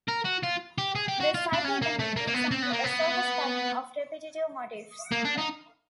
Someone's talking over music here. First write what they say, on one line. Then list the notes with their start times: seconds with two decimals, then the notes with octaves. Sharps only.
The cycle then repeats under a surface pattern of repetitive motifs.
0.08 A#4
0.25 F#4
0.44 F4
0.78 G4
0.95 G#4
1.08 G4
1.20 F#4
1.34 F4
1.53 D4
1.65 C#4
1.82 A#3
1.99 A3
2.16 A#3
2.27 A#3
2.34 B3
2.51 C4
2.62 B3
2.73 A#3
2.84 B3
5.12 A#3
5.25 D4
5.38 D#4